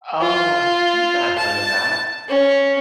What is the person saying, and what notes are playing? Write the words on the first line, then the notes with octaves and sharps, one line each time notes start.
Oh, I think I've heard of that.
F4
A5
C#4